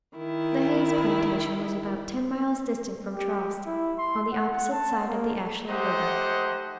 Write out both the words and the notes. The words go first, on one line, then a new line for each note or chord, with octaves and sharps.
The Hayes plantation was about ten miles distant from Charleston, on the opposite side of the Ashley River.
D#3 E4
G4
E4
C6
F#5
A5
A#3
A3 D#4 G4 C5 D#5 F#5